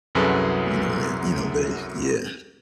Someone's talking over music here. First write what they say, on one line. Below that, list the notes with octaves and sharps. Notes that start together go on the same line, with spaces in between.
You know, it you know, they yeah.
C2 F#2 F#3 G#4 A4 B4